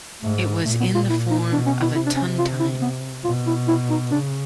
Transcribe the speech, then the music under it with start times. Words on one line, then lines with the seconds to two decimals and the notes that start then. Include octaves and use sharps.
It was in the form of a tontine.
0.23 G#2 A3
0.65 A#2 A3
0.80 B3
0.95 F4
1.10 E4
1.31 D#4
1.52 B2 D4
1.66 C#4
1.82 E4
1.95 C3 E4
2.06 D4
2.17 C#4
2.39 F4
2.60 E4
2.82 B3
3.24 B2 F4
3.47 E4
3.68 E4
3.90 D#4
4.11 C#3 D4